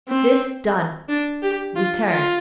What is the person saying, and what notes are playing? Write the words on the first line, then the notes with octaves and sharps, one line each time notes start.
This done, return.
C4
D4
G4
F4
F4